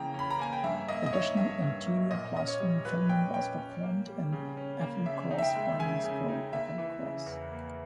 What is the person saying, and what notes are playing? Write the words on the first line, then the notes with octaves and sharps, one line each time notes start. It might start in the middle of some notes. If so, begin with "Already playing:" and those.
Additional interior classroom filming was performed in Applecross Primary School, Applecross.
Already playing: C#3 E3 A#3 G5 A#5
C#4 B5
A#5
A#3 G#5
G5
G2 E5
A#3 D#5
D#5
D#3 C#5
G2 E5
G2
A#3
A#2 D#5
C#4 D#5
C#5
G3
A#2 B4
A#2 G5
C#4 G5
C#4
A#3
G3
C#3
C#4
A#3
C#3 E5
D#4
E5
G5
G#3
C#3 G#5
C#3
D#4
A#3 E5
E3
C#3
E2
A#3